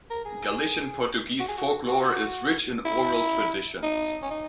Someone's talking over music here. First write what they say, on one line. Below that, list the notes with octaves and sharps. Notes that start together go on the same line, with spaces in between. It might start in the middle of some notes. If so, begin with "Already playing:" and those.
Galician-Portuguese folklore is rich in oral traditions.
A#4
G#4
F#4
G#4
F#4
F#4
E4
D#4
C#4
D#4